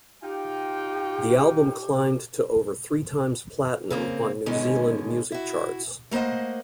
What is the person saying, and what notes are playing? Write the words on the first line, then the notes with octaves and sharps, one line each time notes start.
The album climbed to over three times platinum on New Zealand music charts.
D#4 F4 G4 G5
C#3 A#3 C4
G#2 B2 D3 D#3 G#3 C#4
E4 F#4
A3 A#3 C5 D#5 F#5